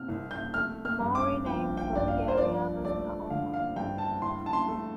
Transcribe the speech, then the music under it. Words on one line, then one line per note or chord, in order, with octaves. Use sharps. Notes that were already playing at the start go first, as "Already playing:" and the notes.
The Maori name for the area was Tauoma.
Already playing: C3 F6
C2
G6
A3 F6
F6
G2
D6
F3 G5
G5
G2 D5
F5
C5
F3 D5
A3 D5
D3 F5
F5
G2 G5
A5
A2 C6
A5
C6
A3